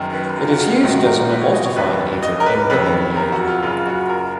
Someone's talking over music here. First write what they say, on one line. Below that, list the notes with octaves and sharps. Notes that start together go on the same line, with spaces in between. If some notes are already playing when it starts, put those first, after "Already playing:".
It is used as an emulsifying agent and whipping aid.
Already playing: F#1 F#2 D#3
B4
F4
F#4
G#4
F4
A#1 G#2 D#3 F#4
A#4
B4
C#5
D#5
C#5
F1 D#2 D#3 B4
D#5
A#4
B4
F#1 F2 D#3 B4
A#4
F#4
F4
F#1 F#2 C#3 F4
F#4
A#4